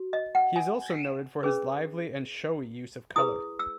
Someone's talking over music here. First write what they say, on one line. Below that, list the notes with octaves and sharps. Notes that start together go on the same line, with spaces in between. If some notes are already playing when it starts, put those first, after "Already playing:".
He is also noted for his lively and showy use of colour.
Already playing: F#4
D#5
F#5
G#5
C#4 G#4 B4
E4 G#4 B4 D#6
E6